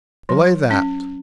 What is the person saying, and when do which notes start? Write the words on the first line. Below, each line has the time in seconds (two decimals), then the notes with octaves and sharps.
"Belay that!"
0.29 F#3
0.71 C#4